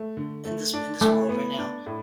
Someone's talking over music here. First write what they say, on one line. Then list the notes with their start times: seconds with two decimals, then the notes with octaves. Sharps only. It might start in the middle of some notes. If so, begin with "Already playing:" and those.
in this in this world, right now.
Already playing: A3
0.17 D3
0.45 A3
0.74 D4
1.01 E3 A3
1.29 B3
1.58 D4
1.86 A2